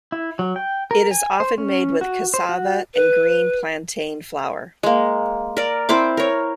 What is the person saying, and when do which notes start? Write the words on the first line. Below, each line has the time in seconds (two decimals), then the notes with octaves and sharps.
It is often made with cassava and green Plantain Flour.
0.12 E4
0.39 F#3
0.56 G5
0.91 A#4
1.11 G#5
1.40 C5
1.58 C#4
2.01 F#4
2.34 C5
2.49 F#4
2.94 B4
4.83 G#3 A#3
5.57 A#4 D5
5.89 C4 E4 C5 D6
6.17 A#4 C#5